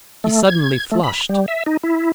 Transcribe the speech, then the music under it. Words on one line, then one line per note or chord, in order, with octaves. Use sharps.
He suddenly flushed.
A3
G#6
A3
B5
G3
E5
D#4
E4